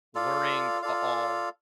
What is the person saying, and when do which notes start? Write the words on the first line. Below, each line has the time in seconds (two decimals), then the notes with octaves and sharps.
learning a all
0.15 F4 A4 D5 F5
0.82 F4 A4 D5 F5